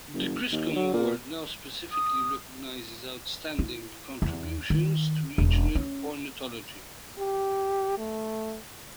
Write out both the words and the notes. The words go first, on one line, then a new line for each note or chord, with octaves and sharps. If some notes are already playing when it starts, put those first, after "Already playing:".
The Griscom Award now specifically recognizes outstanding contributions to regional ornithology.
F#1
D#2
F#3
A#2
D#6
E4
E2
D#3
E1
C#4
G4
A3